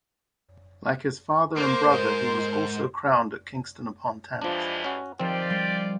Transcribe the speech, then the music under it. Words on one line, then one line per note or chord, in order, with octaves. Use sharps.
Like his father and brother he was also crowned at Kingston upon Thames.
A#3 A#4 C5
G#2
G2 E3 F3 G#3 D4
C#4 F#4
D#3 F3 C4 F4 G4 D5
G3